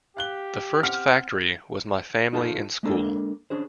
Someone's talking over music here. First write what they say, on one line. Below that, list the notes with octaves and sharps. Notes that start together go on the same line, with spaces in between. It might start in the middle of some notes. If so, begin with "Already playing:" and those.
The first factory was my family and school.
G4 F5 F#6 G7
C4 F#5 F6
D#4 F4 A4 A5
G#3 A#3 D4 A4 A#4
C#4 D4 G#4 C5